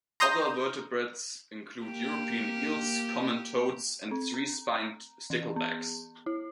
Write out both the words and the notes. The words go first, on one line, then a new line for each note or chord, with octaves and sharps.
Other vertebrates include European eels, common toads and three-spined sticklebacks.
A#5 C6 D#6 G6 A#6
A#3 G4
C4
A#5
E3
B3
E4